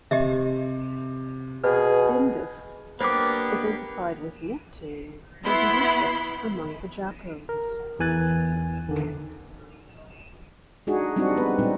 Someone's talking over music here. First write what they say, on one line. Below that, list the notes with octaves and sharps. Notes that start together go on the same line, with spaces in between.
"Bindus", identified with Neptune, was worshipped among the Japodes.
C3 G4 D#5 E5
B2 G#4 B4
A#3 B3 D4 G4 C5 D6
B3 E4 B5 C6
A#4
E2 E3 G#5 F#6 A6
D3 D#3
G#3 D4 D#4 F#4 G#4
G3 G#3 C4 D4 D#4 F#4
G#3 B3 B4
A#2 G3 G#3 C4 D#4